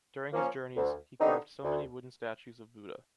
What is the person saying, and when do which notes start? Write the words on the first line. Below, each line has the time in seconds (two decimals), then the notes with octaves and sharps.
During his journeys, he carved so many wooden statues of Buddha.
0.32 F3 A#3 C#4
0.76 D2
1.19 D3 G3 C4 D#4
1.63 D2